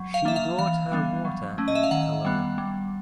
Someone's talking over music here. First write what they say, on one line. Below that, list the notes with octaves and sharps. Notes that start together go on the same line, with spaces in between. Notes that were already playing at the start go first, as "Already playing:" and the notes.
She brought her water and cologne.
Already playing: F#3
F5
A#3 D4 E5
F5
E3 F5
G3 B3 D4
F#3
A3 C#4
D#5
E5
F5
D#3 F#5
G3 B3
G3